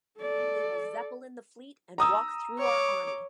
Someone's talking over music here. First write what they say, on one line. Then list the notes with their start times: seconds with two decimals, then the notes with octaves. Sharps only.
They will Zeppelin the fleet and walk through our army.
0.20 A4 D5
1.98 A#5 D#6 E6
2.58 C#5 D6